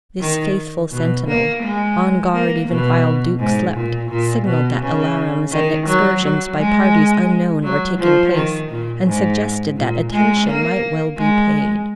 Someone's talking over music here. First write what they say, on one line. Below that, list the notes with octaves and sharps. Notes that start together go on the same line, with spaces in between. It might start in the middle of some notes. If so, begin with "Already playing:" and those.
This faithful sentinel, on guard even while Duke slept, signalled that alarums and excursions by parties unknown were taking place, and suggested that attention might well be paid.
D#3
B2
A#3
G#3
A#3
B2
G#2
A#2
A#2
B2
C#3
D#3
F#3
F#3
G#3
F#3
F3
D#3
A#2
G#2
A#2
G#3
A#3
G#3